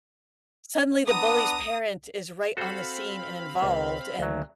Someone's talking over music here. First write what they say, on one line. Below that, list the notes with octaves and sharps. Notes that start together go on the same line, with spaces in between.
suddenly the bully's parent is right on the scene and involved, and,
B3 D4 A#5 D#6
C4 F#4 A4 C5 F5 B5
C#2
D2 C#3 F#3 A#3